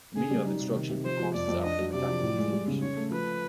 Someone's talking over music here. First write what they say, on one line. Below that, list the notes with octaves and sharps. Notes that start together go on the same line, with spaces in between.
The medium of instruction for courses offered in the faculty is English.
C#3 G#4
G3
D#4
C3
D#3
C3
F3 C5
F3
F2 D5
F2
D4 D#5
F#3
C3 D5
F3
A2
G#3
G3
C#3
C#3 C#5
A3
F3 B4